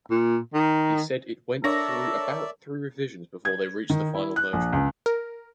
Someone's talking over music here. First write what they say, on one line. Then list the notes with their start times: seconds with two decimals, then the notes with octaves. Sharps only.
He said it went through about three revisions before they reached the final version.
0.10 A#2
0.54 D#3
1.64 D4 A4 A#4 C#5 D5 E5 A#6
3.45 G#6
3.90 D#3
4.15 E4
4.36 F#6
4.53 A#1
4.73 C#2
5.06 A#4